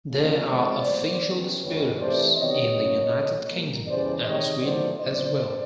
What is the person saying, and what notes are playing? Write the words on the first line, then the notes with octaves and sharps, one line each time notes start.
There are official distributors in the United Kingdom and Sweden as well.
C#3 F3 A#3
C3 F3 G#3 C4 C5 D5
A2 F#3 B3
C#3 E3 G3 B3
F2 D3 F3 G#3 C4 B4 C#5
C3 E3 A3 C5 D5
C3 D#3 F#3 B3 C#5 D#5
F#2 C#3 F#3 A#3
A2 F#3 A3
A#2 G3 A#3
E2 C#3 E3 G3 C5 D5
C3 D#3 G#3 C#5 D#5
A2 F#3 B3 C5 D5
A#2 F#3 B3 C5 D5